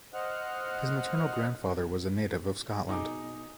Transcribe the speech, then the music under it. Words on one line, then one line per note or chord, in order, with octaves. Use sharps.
His maternal grandfather was a native of Scotland.
C5 D#5 F#5 F6 F#6
B2 D#4 G#4 A#5 D6